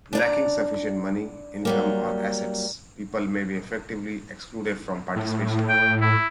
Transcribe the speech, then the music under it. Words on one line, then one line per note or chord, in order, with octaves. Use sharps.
Lacking sufficient money, income or assets, people may be effectively excluded from participation.
D4 D5 A#5
F#3 G3 A#3
A2
G5
E4